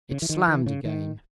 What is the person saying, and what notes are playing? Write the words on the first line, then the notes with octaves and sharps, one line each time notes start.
It slammed again.
C#3
E3
D#3
E3
C#3
D#3